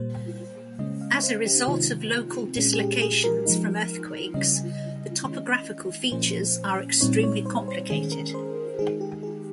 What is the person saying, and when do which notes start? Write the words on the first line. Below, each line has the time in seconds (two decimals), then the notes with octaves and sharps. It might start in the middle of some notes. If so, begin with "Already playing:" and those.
As a result of local dislocations from earthquakes, the topographical features are extremely complicated.
Already playing: A#2 G3 A#3 C5
0.79 C#3 G#3 C#4 D#5
1.01 F5
1.23 C5
1.46 G4
1.68 C3 D#3 G#3 C4 D#4 F4
2.56 A#2 G#3 C#4
2.73 G#4
2.78 G4
3.02 G#4
3.24 A#4
3.46 F3 G#3 D#4
4.34 C#3 G3 C#4 D#5
5.23 D#3 G#3 C#4
6.11 A#2 F3 A#3 C#4 C5
7.01 A#2 G3 C4 D#4 C#5
7.23 C#5
7.46 C5
7.68 C5
7.90 D#3 G#3 C#4 G#4
8.12 A#4
8.34 C5
8.79 D#3 G#3 D#4 G#4
9.01 G4
9.23 G#4